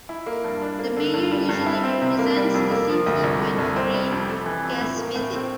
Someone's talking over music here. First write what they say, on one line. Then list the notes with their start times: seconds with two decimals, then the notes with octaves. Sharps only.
The mayor usually represents the city when foreign guests visit.
0.09 E4
0.26 A#3
0.44 G2
0.62 D4
0.79 A#3
0.97 D3
1.14 G2
1.31 G3
1.49 G2
1.66 E4
1.83 C4
2.02 C3
2.19 A#3
2.36 G3
2.54 F2
2.71 A#3
2.89 F3
3.06 D2
3.23 C2
3.42 A3
3.58 C2
3.76 C4
3.94 G3
4.11 F2
4.29 A3
4.46 E3
4.63 F2
4.81 A2
4.98 A#3
5.16 A2
5.33 C4